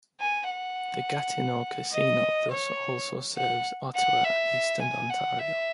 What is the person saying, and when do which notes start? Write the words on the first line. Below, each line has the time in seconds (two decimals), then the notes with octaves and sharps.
The Gatineau casino thus also serves Ottawa and Eastern Ontario.
0.20 G#5
0.50 F#5
1.93 D#5
2.51 C#5
3.37 F#5
3.95 F#5
4.24 E5
4.82 G#5
5.10 F#5
5.39 E5